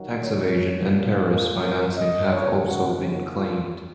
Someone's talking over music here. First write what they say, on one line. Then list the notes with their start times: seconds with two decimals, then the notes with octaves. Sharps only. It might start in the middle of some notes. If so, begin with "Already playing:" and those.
Tax evasion and terrorist financing have also been claimed.
Already playing: F#2 D#3 F#3
0.24 C#5
0.94 A#2 F3
1.28 A#4
1.63 C#5
1.97 D#5
2.32 D#2 C#3 F3 C#5
2.67 F#4
3.02 F4
3.36 F4